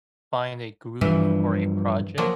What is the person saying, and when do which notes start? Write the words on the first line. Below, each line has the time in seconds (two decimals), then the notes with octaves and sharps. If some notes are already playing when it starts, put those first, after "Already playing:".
find a group for a project,
1.01 G2 E3 F3
2.18 F3 F#3 A#3